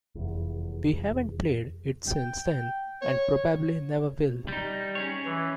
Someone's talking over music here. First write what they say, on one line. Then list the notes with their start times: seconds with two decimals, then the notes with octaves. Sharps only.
We haven't played it since then and probably never will.
0.15 F1 E2
2.07 G5
3.01 C#5
4.48 G3 D#4
4.95 C#4 G#4 C#5
5.25 E3